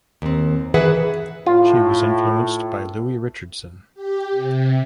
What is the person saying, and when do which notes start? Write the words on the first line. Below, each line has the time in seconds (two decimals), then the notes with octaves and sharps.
She was influenced by Louis Richardson.
0.22 D#2 C4
0.74 D#3 E3 G#4 B4 E5 F#5
1.46 A2 F4
3.94 G4
4.31 C3